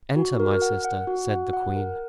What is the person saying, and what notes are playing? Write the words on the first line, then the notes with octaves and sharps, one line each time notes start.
"Enter, my sister," said the queen.
F#4
A#4
F#5
F#5
F#4
F#5
F#5
A#4